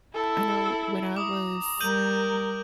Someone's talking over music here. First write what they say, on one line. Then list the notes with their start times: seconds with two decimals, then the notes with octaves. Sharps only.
I know when I was
0.15 E4 A4
1.16 A#5 D6 D#6
1.81 G3 A#4 G6 D#7 F#7